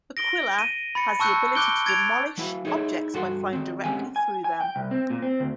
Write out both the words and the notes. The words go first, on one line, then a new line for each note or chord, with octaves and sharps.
"Aquila" has the ability to demolish objects by flying directly through them.
A#6 D7 G7
D#7
B5 A6 C#7
A5 C#6 E6 F#6 G6 C#7
D6 F#6 G6 D7 G7
G#6 A6 D7 F7
F#3 E4
D#4 E4 G#4 C5 C#5
G2 F#4 A4 F#5 C6
D#3 C4
G#3 C4 C#4 G4 G5 G#5
G#5
G#5
G5
C2
C4
A#2
C4
D2